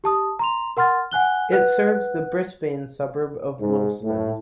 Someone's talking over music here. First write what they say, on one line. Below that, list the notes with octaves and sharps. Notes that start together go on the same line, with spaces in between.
It serves the Brisbane suburb of Wilston.
G4 A5 D#6
A#5 C6 F7
A#4 F#5 C6 F6 A6
F#5 G#5 F#6 G7
B4 F#5 F#6
G#2
A2